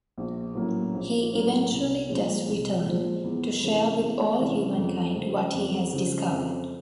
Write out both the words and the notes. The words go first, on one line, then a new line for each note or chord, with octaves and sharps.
He eventually does return, to share with all humankind what he has discovered.
A#1
A2 F#3 A#3 C#4
A#1
A2 F#3 A#3 C#4
C2
A#2 F3 G#3
C2
A#2 F3 G#3
E2
C3 E3 G#3 C#4
E2
C3 E3 G#3 C#4
F2
C#3 F3
F2
C#3 F3
F2